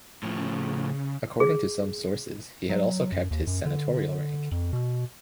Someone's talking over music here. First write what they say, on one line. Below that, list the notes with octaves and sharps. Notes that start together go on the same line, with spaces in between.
According to some sources, he had also kept his senatorial rank.
A2 C#3 F3
G#4
F#3
F#2
D#2
F#2
D3
F2
B2